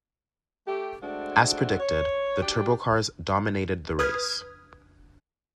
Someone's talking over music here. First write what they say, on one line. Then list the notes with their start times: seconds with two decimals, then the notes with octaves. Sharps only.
As predicted, the turbo cars dominated the race.
0.67 A3 G4
1.03 G#3 A3 C4 D4 F#4
1.80 C#5
2.43 D4 F#4 G4
3.99 B4 D#6 F6 G#6